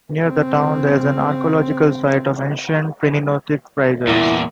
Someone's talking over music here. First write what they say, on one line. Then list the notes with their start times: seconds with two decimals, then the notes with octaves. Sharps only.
Near the town there's an archaeological site of ancient Priniatikos Pyrgos.
0.23 C#3 C4
4.07 E2 A#2 E4